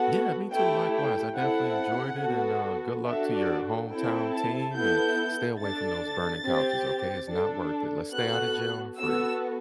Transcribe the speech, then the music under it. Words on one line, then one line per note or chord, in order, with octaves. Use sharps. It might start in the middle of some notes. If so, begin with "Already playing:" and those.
Yeah, me, too, likewise, I definitely enjoyed it, and, uh, good luck to your hometown team, and stay away from those burning couches, okay? It's not worth it, let's stay outta jail, and free.
Already playing: B3 F#4 A4 F#5
A3 E4 G4 G5
G5
C4 E4 A4 F#5
B3 F#4 A4
D4 F#4 A4 E5
D5
C4 E4 A4 G5
A5
B3 E4 A4 G6
D4 A4 A6
C4 G4
D4 A4
B3 F#4 A4 F#6
B3 F#4 A4 E6